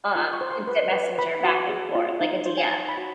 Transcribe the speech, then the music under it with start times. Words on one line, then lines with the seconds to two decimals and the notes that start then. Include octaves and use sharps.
uh, instant messenger back and forth like a DM.
0.16 F4 E6
0.33 C#6
0.41 C5
0.50 C6
0.67 B4
0.92 B4
1.18 B4 B5
1.44 F#4
1.69 G#4
1.95 F4
2.21 D#4
2.46 C5
2.58 G#5
2.64 A5
2.71 C#5 A#5
2.89 B5
2.97 F#4